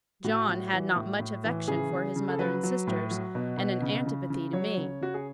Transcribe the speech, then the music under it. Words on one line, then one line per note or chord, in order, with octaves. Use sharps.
John had not much affection for his mother and sisters, and an antipathy to me.
A2 F#4
A2
E3
A2
A2
E3
C#3 G#4
C#3
C#3
A4
F#3 B4
F#3
A2
F#3
B2
B2
C#3
C#3
C#3
F#3 C#5
C#3
C#3 F#4
G#4